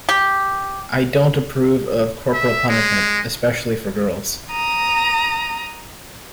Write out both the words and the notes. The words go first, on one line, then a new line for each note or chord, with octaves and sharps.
I don't approve of corporal punishment, especially for girls.
G4
E5
G#3
A#5 D#6